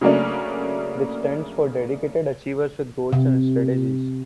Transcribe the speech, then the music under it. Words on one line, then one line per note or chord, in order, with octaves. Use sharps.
It stands for "Dedicated Achievers With Goals and Strategies".
C#3 F#3 A3 A#3 C#4 D4
C3